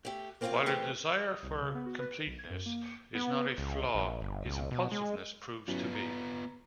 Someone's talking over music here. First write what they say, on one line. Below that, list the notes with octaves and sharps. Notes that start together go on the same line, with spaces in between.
While a desire for completeness is not a flaw, his impulsiveness proves to be.
A3 G4
A#3 C4 C#4 E4 F4 F5
E3 A3 C4 G4
D#6
C2
C#3
B3
F#4
B4
D7
B1
G#6
F#2
A#3
C#7
B3
C#2
A#1
G1
C#2
B2
G#3
F#3 B3 C#4 E4 F4
A#5